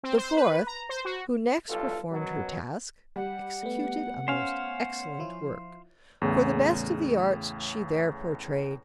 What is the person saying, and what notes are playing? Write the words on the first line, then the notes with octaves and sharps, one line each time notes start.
The fourth, who next performed her task, executed a most excellent work; for the best of the arts she there portrayed.
C4
C5
B4
A#5
C5
F#4
B1 G2 F4 A4
F#2 B2 F#3
G3 F#5
A3 B3
C#4 C5 F5
F3 E4 F4
E2 A2 C#3